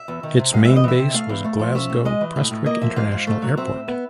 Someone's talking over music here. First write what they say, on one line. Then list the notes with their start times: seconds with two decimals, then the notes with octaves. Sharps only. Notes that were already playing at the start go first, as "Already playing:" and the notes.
Its main base was Glasgow Prestwick International Airport.
Already playing: E5
0.08 E2
0.23 D#3
0.38 C3
0.53 G#3 F5
0.65 E2 E5
0.76 D#5
0.84 E3 E5
0.99 C3
1.14 A3 F5
1.29 E2
1.44 A3
1.59 F3
1.75 C#4 E5
1.90 A2
2.05 G#3 D#5
2.21 E3
2.36 A2
2.51 A2
2.66 A#3 D#5
2.81 F3 E5
2.96 G#2 F5
3.12 G#2
3.27 A3
3.42 F#3
3.57 C4 E5
3.72 A2
3.88 B3